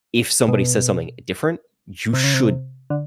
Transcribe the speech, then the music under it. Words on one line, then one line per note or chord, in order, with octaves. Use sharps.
if somebody says something e different, you should
B2
C3
C#3
C3
D3